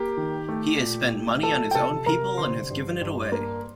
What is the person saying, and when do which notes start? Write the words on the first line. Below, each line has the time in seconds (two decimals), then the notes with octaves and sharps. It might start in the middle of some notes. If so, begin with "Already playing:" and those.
He has spent money on his own people and has given it away.
Already playing: A#3 G4
0.17 D#3
0.49 A3
0.81 A#2
1.13 A3
1.43 F3 A4 A5
1.71 G5
1.75 C3 A4 A5
2.06 C3 A#4 A#5
2.38 D3 C5 C6
2.70 G2
3.01 G2
3.32 A#3